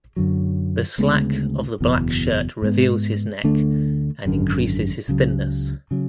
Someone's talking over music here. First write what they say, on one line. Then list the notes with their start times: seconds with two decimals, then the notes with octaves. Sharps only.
The slack of the black shirt reveals his neck and increases his thinness"".
0.16 F#2 D3 F#3
0.98 D2 C#3 G#3 B3
1.80 F#1 E2 B2
2.62 G#2 G#3 B3
3.44 D2 D3 A3 D4
4.26 G#1 F#2 D3
5.08 C#2 C#3 F#3
5.91 C#3 F#3